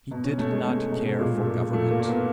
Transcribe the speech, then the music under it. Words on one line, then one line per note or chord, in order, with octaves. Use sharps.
He did not care for government.
B2
C#4
B2 A3
G#3
B2 A3
B2
A#2 G#3
A3
A#2
A#2 A3
A#3
A#2
B3